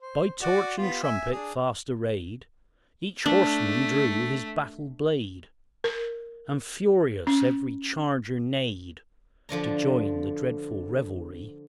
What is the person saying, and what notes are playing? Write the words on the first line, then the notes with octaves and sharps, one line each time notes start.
By torch and trumpet fast array'd Each horseman drew his battle-blade, And furious every charger neigh'd To join the dreadful revelry.
C5
F#4 D5
B3 F4 G4
E5 G#5
D4 G#4
A3 D4
A#4
C#4
D3 F3 D4 A#5